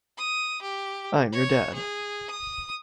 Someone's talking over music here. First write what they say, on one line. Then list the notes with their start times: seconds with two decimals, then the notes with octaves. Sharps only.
I'm your dad.
0.18 D#6
0.62 G4
1.32 C#5
1.74 G#4
2.30 D#6